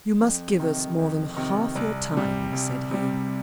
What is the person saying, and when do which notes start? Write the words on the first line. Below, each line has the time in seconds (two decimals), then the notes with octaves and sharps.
"You must give us more than half your time," said he.
0.21 F2
0.60 C3 D#3
0.99 F2
1.36 C3 D#3
1.75 C2
2.13 C3 G3
2.53 C2
2.91 C3 G3